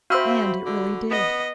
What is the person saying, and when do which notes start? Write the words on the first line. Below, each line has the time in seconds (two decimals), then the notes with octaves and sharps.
And it really did.
0.10 C4 F#4 C5 E5 F5 B5
0.66 D3
1.11 B3 D#5